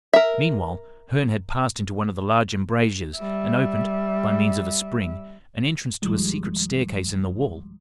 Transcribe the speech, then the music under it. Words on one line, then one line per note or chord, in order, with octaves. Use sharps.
Meanwhile, Herne had passed into one of the large embrasures, and opened, by means of a spring, an entrance to a secret staircase in the wall.
A#4 E5
G3 E5
B1 G2 D#3 F3 G3 G#3